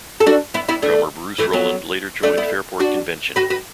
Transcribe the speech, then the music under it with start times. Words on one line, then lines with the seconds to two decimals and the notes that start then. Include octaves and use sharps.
Drummer Bruce Rowland later joined Fairport Convention.
0.20 A4
0.26 D4 F#4
0.54 B3 E4
0.68 B3 E4
0.82 A3 D4
1.38 E3 A3
1.53 F#3 B3
2.23 A3 D4
2.37 B3 E4
2.80 D4 F#4
3.36 F#4 B4
3.50 F#4 B4